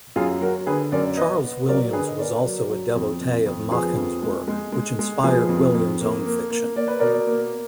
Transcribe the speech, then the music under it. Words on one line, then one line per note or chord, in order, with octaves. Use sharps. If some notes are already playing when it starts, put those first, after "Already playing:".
Charles Williams was also a devotee of Machen's work, which inspired Williams' own fiction.
F#2 F4 G#4
F#3 F#4 A#4
D3 G#4 B4
F#2 A#4 D5
B3 B4 D#5
B3
F#3 A#4 D5
A#4
D3 G#4 B4
D#5
B3 A#4 D5
F#3
F#3
F2
F2
F2
F3 G#4 B4
F2
G#3
G#3
G#3
G#3
F3 G#4 B4
F2
F2
A#3
A#3
A#3
A#3 D5
B4
B2 A#4 D5
A#3